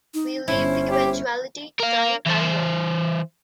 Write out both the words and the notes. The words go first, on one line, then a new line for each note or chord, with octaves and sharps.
We leave the eventuality to time and law.
D#4
G1 C#4 E4 C5
G4
A#4 F5
E3 C5